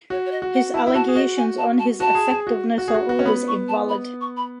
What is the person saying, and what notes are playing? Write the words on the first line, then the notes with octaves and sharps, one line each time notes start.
His allegations on his effectiveness are always invalid.
F#4 C#5
C#5
D#5
F#4
F#5
E4 A5
E4
F#4 A5
G#4
F#4 D#5
G#5
A5
A5
F#4 A5
G#4
G#4
F#4
F#4
G#4
F#4
F#4
C#4
B3 B5
C#6
A5
B5
C#6
B5